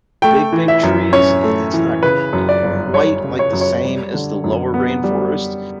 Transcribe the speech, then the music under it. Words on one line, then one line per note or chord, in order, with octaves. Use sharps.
big, big trees, i it's not quite like the same as the lower rainforest,
A3 G5
E3
E5
F#2
C#4 C#5
A3
E3
C#3 B4
F#2
D5
G1
G3 C#5
C#3
C#5
F#2
C#5
G3
D3
F#2
B3
G3